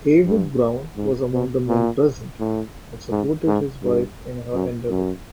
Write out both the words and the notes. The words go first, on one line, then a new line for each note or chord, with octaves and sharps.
Heywood Broun was among the men present, and supported his wife in her endeavors.
G2
G#2
B2
A#2
A2
G#2
G#2
G2
F#2
F#2